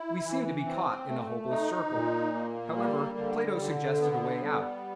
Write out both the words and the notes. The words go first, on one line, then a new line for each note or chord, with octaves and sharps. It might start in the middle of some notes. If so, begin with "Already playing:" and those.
We seem to be caught in a hopeless circle. However, Plato suggested a way out.
Already playing: E4
E3
C4
A3
D#4
A#2
A#3
G3
D3
D3
B3
G3